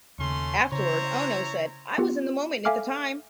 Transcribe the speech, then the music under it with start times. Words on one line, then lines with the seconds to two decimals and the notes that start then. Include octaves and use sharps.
Afterward, Ohno said, I was in the moment at the time.
0.19 D#2 C#3 A3 C#4 C6
0.72 C#3 E4 C5 C#5 A#5
1.98 B3 F4 G4
2.65 A4 E5 F5 G#5 D6 F6